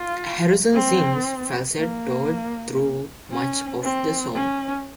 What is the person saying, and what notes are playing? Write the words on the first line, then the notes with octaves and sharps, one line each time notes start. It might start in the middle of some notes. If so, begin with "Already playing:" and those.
Harrison sings falsetto through much of the song.
Already playing: F4
C4
A#3
C#4
C4
C#4